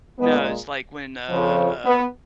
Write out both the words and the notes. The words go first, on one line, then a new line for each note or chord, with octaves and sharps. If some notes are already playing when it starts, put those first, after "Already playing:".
No, it's, like, when, uh, uh
A#2 G#3 B3
F2 C#3 F3
B3